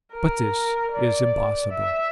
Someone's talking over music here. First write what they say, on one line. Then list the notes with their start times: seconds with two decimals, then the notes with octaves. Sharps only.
But this is impossible.
0.14 A#4
0.93 D5
1.72 E5